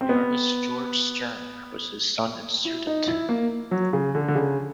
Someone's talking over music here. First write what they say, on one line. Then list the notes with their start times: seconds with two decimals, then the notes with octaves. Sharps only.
The artist Georg Sturm was his son and student.
0.01 C4
0.09 B3
2.65 E4
2.87 D#4
3.08 E4
3.29 A#3
3.71 F#3
3.93 C#3
4.15 D3
4.28 D3
4.35 C#3